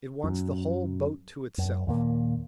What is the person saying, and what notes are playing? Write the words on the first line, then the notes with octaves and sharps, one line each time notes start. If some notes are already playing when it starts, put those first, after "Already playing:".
It wants the whole boat to itself.
F#2
F#2
D#2 A#2 A#3